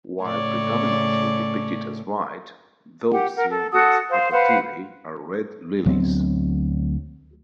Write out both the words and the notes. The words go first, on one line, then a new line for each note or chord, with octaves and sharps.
While predominantly depicted as white, those seen at Akrotiri are red lilies.
A2 C#3 C#5 D5
G4 F#5
A#4 F#5
A4
F#4 A4 F#5 D#6
C5 F5
B4 C5 F5 F#5
D2 F#3 B3 C4